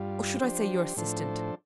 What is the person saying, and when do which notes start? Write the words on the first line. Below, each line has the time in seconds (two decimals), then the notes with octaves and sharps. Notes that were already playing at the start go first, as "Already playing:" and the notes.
Or should I say your assistant?
Already playing: G2 G3 F4
0.39 F3 D4 G4 C5
0.97 A2 F3 D4 A4 C5